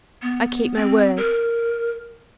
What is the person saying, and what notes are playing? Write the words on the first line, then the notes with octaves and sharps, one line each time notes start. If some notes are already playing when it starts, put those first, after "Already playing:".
I keep my word.
B3
C4
A#4